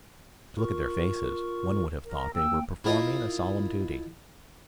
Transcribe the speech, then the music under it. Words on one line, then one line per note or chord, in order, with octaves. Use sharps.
To look at their faces one would have thought they were performing a solemn duty.
F4 A#4 C#6
A#4
A#3 G5 E6
E4 F4 A#4 D#5 F5